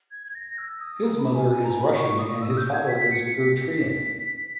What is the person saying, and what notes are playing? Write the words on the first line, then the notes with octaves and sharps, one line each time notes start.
His mother is Russian and his father is Eritrean.
G#6
G#6
A#6
E6
D#6
A#5
B5
G#5
G#5
A#5
B5
C#6
D#6
E6
G6
G#6
B6
C#7
B6
B6